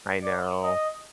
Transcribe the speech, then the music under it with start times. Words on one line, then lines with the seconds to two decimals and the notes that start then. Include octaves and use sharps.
I know.
0.23 D5
0.64 D#5